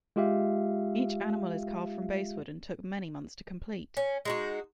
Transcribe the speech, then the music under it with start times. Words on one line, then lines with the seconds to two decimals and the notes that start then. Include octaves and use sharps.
Each animal is carved from basswood and took many months to complete.
0.16 G#3 F4 G4 E5 F5
3.97 C#4
4.25 G#3 D#4 F#4